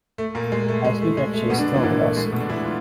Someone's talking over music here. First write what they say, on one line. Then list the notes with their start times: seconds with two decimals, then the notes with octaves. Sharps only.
I see that she is still with us.
0.18 A3
0.35 A#2 A#3
0.52 G#3
0.68 A3
0.85 G#3
1.02 A3
1.17 G#3
1.33 A3
1.50 B2 B3
1.58 D3 D4
1.74 E3 E4
1.83 A#2 A#3
2.00 A3
2.16 G#3
2.24 A3
2.32 B2 B3
2.40 D3 D4
2.49 E3 E4
2.65 F4